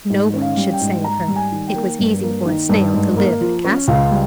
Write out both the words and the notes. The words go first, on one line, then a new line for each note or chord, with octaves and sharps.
No one should say of her, it was easy for a snail to live in a castle!
G#2
C#4
F5
G3
G5
G#2
G#2 A#5
G3
G#5
D#3
G5
A#3
G2
A#3
D#3
G2
G#2
A#3
F3
C#4
C#2 F5
G3